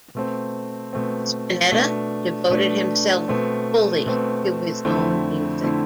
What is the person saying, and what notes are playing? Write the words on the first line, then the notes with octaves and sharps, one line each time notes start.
Spinetta devoted himself fully to his own music.
B2 A3 C4
B2 A3 C4
B2 A3 D4
B2 A3 D4
B2 A3 C4
B2 A3 C4
F2 D3 A3 C4 E4
D3 A3 C4 E4